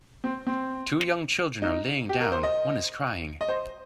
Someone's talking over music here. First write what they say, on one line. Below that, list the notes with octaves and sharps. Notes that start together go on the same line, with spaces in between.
Two young children are laying down, one is crying.
C4
C4
D#4
G4
A#4
C5
D#5
D#5
C5